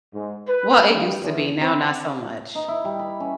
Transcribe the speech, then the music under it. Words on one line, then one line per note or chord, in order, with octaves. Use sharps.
Well, it used to be, now not so much.
G#2
B4
G2
E2
C4
D#4
E4
G3
B5
C#4